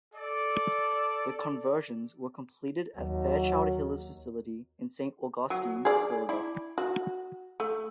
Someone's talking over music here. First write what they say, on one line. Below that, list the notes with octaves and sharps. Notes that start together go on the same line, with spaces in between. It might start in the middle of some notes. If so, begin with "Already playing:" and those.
The conversions were completed at Fairchild-Hiller's facility in Saint Augustine, Florida.
A4 D5
D#2 F#3
F#3
G#4 D5
E4 D5
F#4
A3